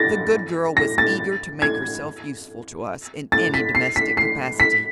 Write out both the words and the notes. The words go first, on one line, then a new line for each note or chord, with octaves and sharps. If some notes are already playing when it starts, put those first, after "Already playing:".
The good girl was eager to make herself useful to us in any domestic capacity.
Already playing: A6 A#6
A#6
A6
G#6
A6
B6
C7
B6
C7
B6